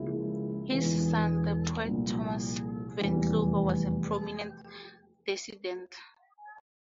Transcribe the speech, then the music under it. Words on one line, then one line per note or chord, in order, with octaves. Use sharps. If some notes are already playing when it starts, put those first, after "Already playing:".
His son, the poet Tomas Venclova, was a prominent dissident.
Already playing: C#2 C#3 F3 A#3 E4
E1 E2 E3
C2 A#2 F3
F1 E2 E3 G3